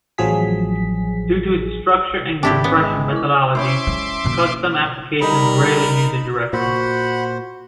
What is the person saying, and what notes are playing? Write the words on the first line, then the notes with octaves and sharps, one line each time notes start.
Due to its structure and compression methodology, custom applications rarely use it directly.
A1 F3 F#3 G#4 B6
G#1 C3 D4 E4 G4 G5 B5 B6
B3 C#4
G#3
E4 D6
C#4 E4 C5 E5 C6 D6
G#3
B2 A#3
G3 D#4 A#4 B5
A#2 F#4 C5 F#5 B5